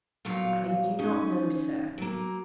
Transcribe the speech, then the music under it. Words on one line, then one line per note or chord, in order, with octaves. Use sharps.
"I do not know, sir!"
E2 A#2 F#3 C#5 F5
C#4 D#4
F#3 A#3